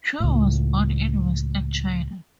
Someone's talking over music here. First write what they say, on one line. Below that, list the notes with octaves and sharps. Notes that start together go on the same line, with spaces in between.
Chu was born in Western China.
C#2 A2